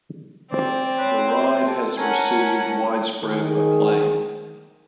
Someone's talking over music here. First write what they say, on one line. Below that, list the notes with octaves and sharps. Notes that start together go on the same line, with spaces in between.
The ride has received widespread acclaim.
C4 C5 D5
B4 C#5
C5
A4
C#4 A#4 F#5 G#5 A5
D#3 G#4